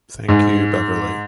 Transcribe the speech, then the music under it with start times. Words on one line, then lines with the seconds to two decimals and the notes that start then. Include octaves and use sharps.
Thank You Beverley.
0.28 G#2